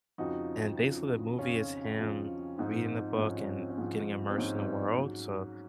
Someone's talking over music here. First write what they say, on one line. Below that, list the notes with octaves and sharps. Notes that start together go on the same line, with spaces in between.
and, basically, the movie is him reading the book and getting immersed in the world, so,
F2 C#3 F3 D#4 F#4
F2 C#3 F3
F2 C#3 F3 C#4 F4
F2 C#3 F3
G#2 F3 C4 D#4
G#2 F3 C#4
C#4
C4
C#4
G#2 F3 C4
C4
G#2 F3 C#4
G#2 F#3